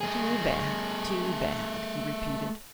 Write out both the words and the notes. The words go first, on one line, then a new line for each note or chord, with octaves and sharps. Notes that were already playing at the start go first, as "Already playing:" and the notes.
"Too bad, too bad," he repeated.
A3 G#4